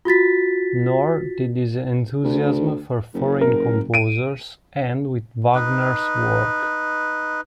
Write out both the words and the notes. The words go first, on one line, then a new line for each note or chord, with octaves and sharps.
Nor did his enthusiasm for foreign composers end with Wagner's work.
F4 F#4 A6 B6
D2
F#1
A#4
D7 D#7
D#4 B4